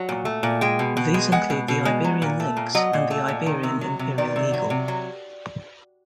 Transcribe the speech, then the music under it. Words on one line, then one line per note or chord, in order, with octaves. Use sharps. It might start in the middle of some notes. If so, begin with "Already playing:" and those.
These include the Iberian lynx and the Iberian imperial eagle.
Already playing: F#3
A#2
A3
A#2
G#3 G5
B2
B2
G#3
G#3 F#5
B2
B2
G#3
F#3
A#2
A3
A#2
F#3 D#5
A#2
A3
A#2
D#3
C3
F#3
C3
D#3 D5
C3
F#3
C3
F#3